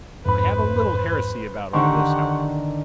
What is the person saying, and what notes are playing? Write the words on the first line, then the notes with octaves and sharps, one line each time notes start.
I have a little heresy about all this, however.
F2 G#2 B4 C5 B5
D3 D#3 G4 F#5 C6 C#6